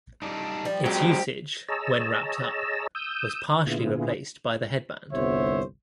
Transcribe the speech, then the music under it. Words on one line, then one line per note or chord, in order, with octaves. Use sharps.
Its usage, when wrapped up, was partially replaced by the headband.
G3 D4 D#4
F3 G3
F#3 G#3 C4 G4
G#4 C#5 D#5 A5 A#5 E6
D#6 E6 G6
A#2 D3 B3 E4 F4 G#4
G1 C2 B3 C5 C#5 E5